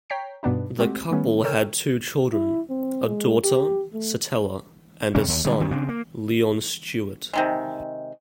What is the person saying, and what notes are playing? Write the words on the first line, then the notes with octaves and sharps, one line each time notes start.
The couple had two children: a daughter, Satella, and a son, Leon Stewart.
C#5 G5 A#5 B6 C7
G2 B2 B3 D4 D#4
G#3 A3 C4 F#4 G4
D#3 G3 A3 B3 C#4
A4 A#4 C#5 G5 E6 F6
E4
C4
G#3
G4
A3
F#2 C3 D#3 C#4
D#2
D3 G3 G#3
D2 D#3 C4
C#3 C4 D4
A#3
C3 D#3 G#3